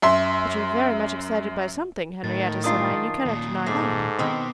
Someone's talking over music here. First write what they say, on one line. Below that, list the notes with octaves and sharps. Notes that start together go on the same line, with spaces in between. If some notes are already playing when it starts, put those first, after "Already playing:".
"But you are very much excited by something, Henriette," said I. "You cannot deny that."
F#2 E5 C6
A2 D#3 A6
F#2 D4 F4 D#6 C7
D#2 A#2
G#2 A3 D6 C7
B2 D#3 B3 C4